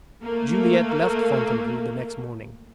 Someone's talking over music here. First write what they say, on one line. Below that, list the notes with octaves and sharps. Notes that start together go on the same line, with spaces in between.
Juliette left Fontainebleau the next morning.
A3 A#3